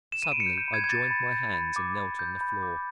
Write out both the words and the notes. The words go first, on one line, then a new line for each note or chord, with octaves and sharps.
Suddenly I joined my, hands and knelt on the floor.
E7
B5 D#7
D7
C#7
G6
G6
B5
G#6
G#6
D6 A6
B5
G6
B5
D6
B5
G6
B5
D6